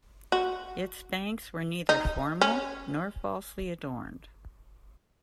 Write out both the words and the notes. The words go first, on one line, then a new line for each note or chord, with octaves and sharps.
Its banks were neither formal, nor falsely adorned.
F#4
D#4
C#4